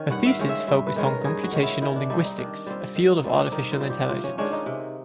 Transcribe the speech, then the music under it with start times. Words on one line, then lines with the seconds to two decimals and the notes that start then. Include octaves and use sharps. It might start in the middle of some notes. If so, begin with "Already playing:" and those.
Her thesis focused on computational linguistics, a field of artificial intelligence.
Already playing: D#3 C#4
0.10 G2 F#5
0.25 E5 F5
0.39 D#3 G#3 C#4
0.49 E5
0.67 G2 E5
0.87 B4
0.96 D#3 G#3 C#4
1.06 A#4
1.24 G2 G#4
1.43 F#4
1.53 D#3 G#3 C#4
1.63 E4
1.82 D#3 E4
1.96 D4
2.10 G3 C4 D#4
2.25 D#4
2.38 D#3 D4
2.66 G3 C4 F4
2.95 D#3
3.15 D#4
3.24 G3 C4
3.33 D4
3.52 D#3 D#4
3.72 F4
3.80 G3 C4
3.90 G4
4.09 C3 F4
4.24 C#4
4.38 D#3 G#3 C#4 D4
4.53 D#4
4.66 C3